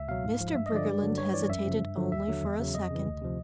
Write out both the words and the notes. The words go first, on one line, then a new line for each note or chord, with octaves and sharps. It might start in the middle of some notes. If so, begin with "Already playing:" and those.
Mr. Briggerland hesitated only for a second.
Already playing: C#2 E5
B2 F#3 F5
G#2
F3
G2 E5
D#5
D3 F3 D5
G2
D3 F#3
G2 C#5
E3 D5
F#2 E5
C#3 F3
G2
D3 F3
D#2 E5
D3 F#3
E2
C#3 F#3
F2 D#5
C#3 E3
D2
C3 F3